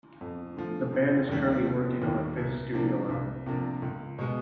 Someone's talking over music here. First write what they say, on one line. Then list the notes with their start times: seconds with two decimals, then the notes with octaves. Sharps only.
The band is currently working on a fifth studio album.
0.21 F2
0.57 D3 F3 A3
0.93 F1
1.29 D#2 D#3 G3 A#3
1.65 F1
2.02 D#2 D#3 G3 A#3
2.37 C2
2.73 C3 F3 A#3 D4
3.09 C2
3.46 C3 F3 A#3 D4
3.82 C#2
4.19 B2 G#3 B3